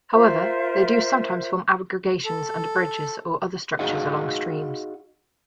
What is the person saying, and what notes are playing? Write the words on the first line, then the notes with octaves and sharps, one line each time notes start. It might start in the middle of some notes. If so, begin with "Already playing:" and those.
However, they do sometimes form aggregations under bridges or other structures along streams.
F4 A#4 C5 E5
A4
D#4 F#4 G#4 D#5 F5 F#5